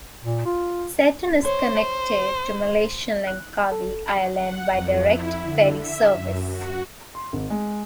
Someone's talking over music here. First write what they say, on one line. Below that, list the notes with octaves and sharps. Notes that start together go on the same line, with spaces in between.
Satun is connected to Malaysian Langkawi Island by direct ferry service.
A#2
F4
C5 C#5
F#6
A4
F#5
F2
E4
D3
E5
F#2
F#4
C6
G#1
G#3